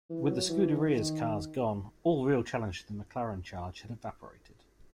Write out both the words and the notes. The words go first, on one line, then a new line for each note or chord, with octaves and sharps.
With the Scuderia's cars gone, all real challenge to the McLaren charge had evaporated.
E3
F#3
E3
D#3
D#3